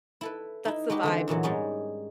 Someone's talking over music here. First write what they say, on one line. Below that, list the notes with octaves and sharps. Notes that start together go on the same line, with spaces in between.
That's the vibe.
E4 A4 B4
D#4 E4
G#3 D#4 F#4 G4 B4
D3 E3 C4
E2 A#2 E3 F#3
G#2 G3 G#3 C#4 D#4